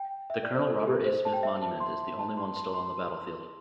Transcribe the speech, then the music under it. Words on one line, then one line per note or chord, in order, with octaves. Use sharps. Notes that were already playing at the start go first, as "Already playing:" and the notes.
The Colonel Robert A. Smith Monument is the only one still on the battlefield.
Already playing: G5
E5
D5
C5
A4
G4
C5
A5
G5
E5
A5
C6
A5
C6
C6
C6